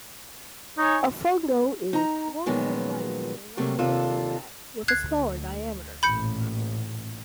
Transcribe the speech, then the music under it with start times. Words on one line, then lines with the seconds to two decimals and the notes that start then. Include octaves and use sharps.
A fungo is longer and lighter than a regulation bat, with a smaller diameter.
0.78 D#4 C#5 G#5 C#6
1.93 D#4 A#5
2.46 A#2 D#3 F3 F#3 G#3 B3
3.57 C3 F#3 G3 A3 A#3
3.79 D#2 C3 D4 F4 A4
4.88 D2 F#6 G#6 C7
6.03 A1 A#2 B5 G6 C#7